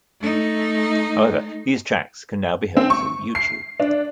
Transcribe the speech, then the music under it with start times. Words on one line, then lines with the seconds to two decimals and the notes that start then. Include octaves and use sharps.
However, these tracks can now be heard through YouTube.
0.21 A3 D#4
2.77 C4
2.90 C#6
3.35 C7
3.80 D4